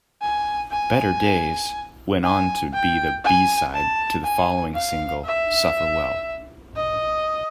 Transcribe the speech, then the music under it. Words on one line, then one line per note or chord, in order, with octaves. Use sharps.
"Better Days" went on to be the B-side to the following single, "Suffer Well".
G#5
G#5
G#5
G5
G#5
A5
G#5
F5
E5
D#5